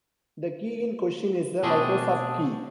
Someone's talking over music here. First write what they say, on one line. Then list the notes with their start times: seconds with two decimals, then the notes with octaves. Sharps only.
The key in question is a Microsoft key.
1.63 B2 A3 C4 D4 G#4